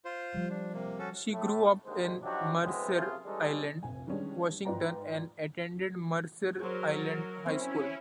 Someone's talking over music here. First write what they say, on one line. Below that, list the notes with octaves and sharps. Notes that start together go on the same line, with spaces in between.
She grew up in Mercer Island, Washington, and attended Mercer Island High School.
F4 C5
F3 G3
D4
C3 A#3
C#4 F#4 A4
A2 A3
D#2 D3 G#3 C5
F3 F#3 D4 D#4 F#4 G4
E3 F#3 G#3 A3 B3 C4
F#2 C3 F3 E4 F4 G#4
E3 G3 G#3 C#4 D#4 A4
F1 A#1 G#5
D#3 E3 G3 G#3 C#4 D4
G#2 F4 B4 D5 G5 A#5
F#3 G#4 A#4 C5
C4 C#4 E4